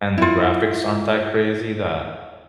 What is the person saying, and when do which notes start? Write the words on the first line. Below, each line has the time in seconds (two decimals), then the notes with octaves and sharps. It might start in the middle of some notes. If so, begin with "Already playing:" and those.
and the graphics aren't that crazy that
0.18 E4 F4